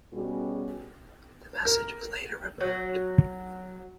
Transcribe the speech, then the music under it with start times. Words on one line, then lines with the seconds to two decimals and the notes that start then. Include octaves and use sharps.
The message was later removed.
0.13 B2 G3 C#4 F#4 G#4
1.65 A#4
2.61 F#3